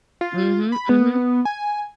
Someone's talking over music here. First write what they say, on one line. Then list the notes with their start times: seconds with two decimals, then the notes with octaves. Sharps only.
Mhm, mhm.
0.21 F4
0.72 B5
0.89 B3
1.45 G#5